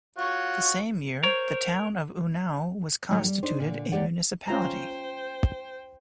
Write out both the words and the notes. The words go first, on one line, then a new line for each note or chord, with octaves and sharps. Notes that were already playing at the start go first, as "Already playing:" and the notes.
The same year the town of Unnao was constituted a Municipality.
F4 F#4 C#5
A#4 C5 C#5
A2 D#3 F#3 A3
G3
D4 D#4 C5
A#2 D3
D#2 F3 G#3 G4 D5 F#5
C#4 F4 C5 G5 A#5